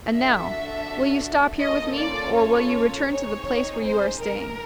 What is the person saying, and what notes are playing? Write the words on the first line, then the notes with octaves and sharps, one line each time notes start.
And now, will you stop here with me, or will you return to the place where you are staying?
D4 F#4 A4 E5
A#3 C#4 F4 A4 D#5
D5
C#5
C4 D#4 G#4 C#5
C5
A#4